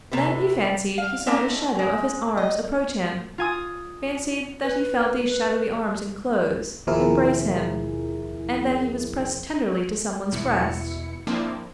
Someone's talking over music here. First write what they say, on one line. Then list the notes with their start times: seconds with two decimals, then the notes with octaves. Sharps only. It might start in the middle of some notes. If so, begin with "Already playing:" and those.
Then he fancied he saw the shadow of his arms approach him--fancied that he felt these shadowy arms inclose, embrace him--and that he was pressed tenderly to some one's breast.
0.11 C3 A3 B4
0.98 F5
1.26 A3 C4 C#4 D#4
1.79 G#3
2.37 D#5
3.38 F4 G#5 D#6
4.63 B4
6.87 D#2 B2 F3 E4 G#4 A#4
10.32 E2 B2 E4 C#7
11.27 F3 A#3 C4 D4 E4